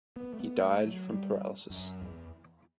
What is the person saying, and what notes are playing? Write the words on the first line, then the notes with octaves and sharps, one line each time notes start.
He died from paralysis.
B3
A3
B3
A3
F#3
G3
F#2
E2